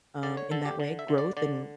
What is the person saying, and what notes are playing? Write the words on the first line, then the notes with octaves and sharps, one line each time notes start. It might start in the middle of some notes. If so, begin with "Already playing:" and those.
um, in that way, growth and
D3 D5
C#5
D3 A4
G4
D3
E5
D3
D5
D3 D5